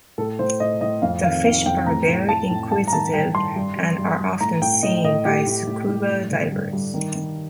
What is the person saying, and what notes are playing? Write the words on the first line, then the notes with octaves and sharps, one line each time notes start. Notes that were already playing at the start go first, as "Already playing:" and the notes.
The fish are very inquisitive and are often seen by scuba divers.
A2 A4
A2 C5
A2 D#5
A2 D#5
F2 F5
D#3 F5
D#3 F5
F2 G5
A2 A#5
A2
A2 A5
A2
G2 A5
A#5
D#3 A5
G2 G5
G2 C6
G2
G2
G2
G2
A2 A#5
A2 G5
A2 D#5
A2 D#5
A2 G4
A2
A2
A2
G2
D3
G2
G2
D#3
D#3